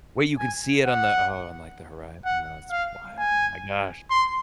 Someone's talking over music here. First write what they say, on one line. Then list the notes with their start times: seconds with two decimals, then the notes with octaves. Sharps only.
Wait, you can see it on the oh, on, like, the horizon, now that's wild, oh my gosh.
0.39 G#5
0.86 F#5
2.25 F#5
2.71 F5
3.18 G#5
4.10 C6